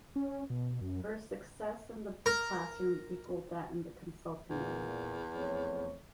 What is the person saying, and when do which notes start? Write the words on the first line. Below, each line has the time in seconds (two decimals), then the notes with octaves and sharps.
Her success in the classroom equalled that in the consulting room.
0.16 C#4
0.50 B2
0.81 F#2
2.26 A#4
4.50 E2 A#2
5.36 F2 A3 C#5